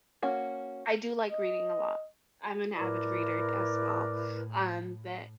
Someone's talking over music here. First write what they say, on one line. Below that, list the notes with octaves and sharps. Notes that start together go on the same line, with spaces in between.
I do like reading a lot. I'm an avid reader d as well, um, but
A#3 C#4 F#4
D#5
A2 E4 A#4 B4 D5